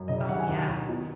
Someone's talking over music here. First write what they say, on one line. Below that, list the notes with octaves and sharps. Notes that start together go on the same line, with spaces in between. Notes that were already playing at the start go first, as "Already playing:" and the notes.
Oh, yeah.
Already playing: F#2
C#3 D#5
E5
D#2 F#5
G#5
D#2
D#2
B2